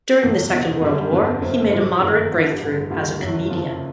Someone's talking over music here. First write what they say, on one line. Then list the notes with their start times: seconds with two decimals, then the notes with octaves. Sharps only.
During the Second World War he made a moderate breakthrough as a comedian.
0.22 F#1 E2 B2
0.52 E1 E2 C3
0.82 F#2 D3 G3
1.12 G1 F2 D3
1.41 F#1 F#2 C#3 C4
1.71 A1 A2 F3 G#3
2.01 G1 F#2 D#3 G#3
2.31 G#1 G#2 F3 B3
2.41 D4
2.50 G4
2.61 A1 G2 D3
2.90 D2 D3 G3 A#3 F4
3.20 F#1 F#2 D#3 F#3
3.50 F#1 F2 C#3 F3 F4
3.65 E4